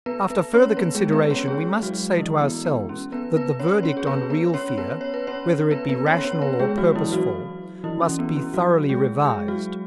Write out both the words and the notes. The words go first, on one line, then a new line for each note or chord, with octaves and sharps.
After further consideration, we must say to ourselves that the verdict on real fear, whether it be rational or purposeful, must be thoroughly revised.
B3 B4
B3 B4
C#4 C#5
B3 B4
G#3 G#4
B3 B4
C#4 C#5
G#3 G#4
F#3 F#4
E3 E4
B3
B3
C#4
B3 B4
B3 B4
C#4 C#5
C#4 C#5
G#4
B3 B4
B3 B4
C#4 C#5
B3 B4
C#5
B4
C#4 C#5
B3 B4
B3 B4
C#4 C#5
C#4 C#5
B3 B4
G#3 G#4
F#3 F#4
E3 E4
F#3 F#4
E3 E4
C#4
B3
C#4
F#3 F#4
G#3 G#4
G#3 G#4
F#3 F#4